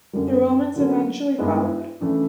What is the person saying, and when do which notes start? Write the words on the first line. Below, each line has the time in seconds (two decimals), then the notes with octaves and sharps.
The Romans eventually followed.
0.13 F#2 D3 G3 A#3
0.76 D3 F#3 A#3 C#4
1.38 G2 D#3 G#3 B3 E4
2.01 C#3 E3 A3 D4